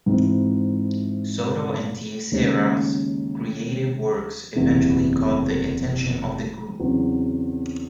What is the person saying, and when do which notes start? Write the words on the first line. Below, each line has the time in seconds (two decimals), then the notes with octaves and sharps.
Soto and Tissera's creative works eventually caught the attention of the group.
0.06 G#2 E3 C4 E4
2.31 D#2 C#3 G#3 C#4
4.55 F#1 E2 C3 E3
6.80 E2 C#3 F#3 C4